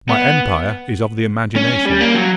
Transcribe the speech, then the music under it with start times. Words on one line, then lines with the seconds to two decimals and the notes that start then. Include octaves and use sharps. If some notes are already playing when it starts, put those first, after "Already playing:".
My empire is of the imagination.
0.09 B3
1.56 C#4
1.86 G3
2.01 A#3
2.15 F#3